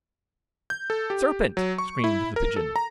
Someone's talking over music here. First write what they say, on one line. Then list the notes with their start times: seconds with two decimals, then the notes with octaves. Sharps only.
'Serpent!' screamed the Pigeon.
0.70 G6
0.90 A4
1.10 G4
1.57 F#3
1.78 C#6
2.04 E4
2.36 A#4
2.56 A4
2.76 A#5